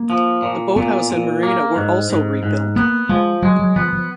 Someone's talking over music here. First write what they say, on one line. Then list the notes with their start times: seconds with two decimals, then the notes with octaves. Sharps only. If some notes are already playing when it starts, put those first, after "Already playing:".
The boat house and marina were also rebuilt.
Already playing: A#3
0.10 F3
0.42 A#2
0.76 A#2 B3
1.10 A#2
1.43 A#3
1.76 G#2
2.10 G#2
2.43 G#2
2.76 A#3 B3
3.09 F3 G#3
3.42 F#3 G#3
3.59 F#3
3.76 F3 B3
3.93 F3